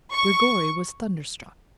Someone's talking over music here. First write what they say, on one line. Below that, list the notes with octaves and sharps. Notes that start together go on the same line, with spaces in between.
Grigory was thunderstruck.
C#6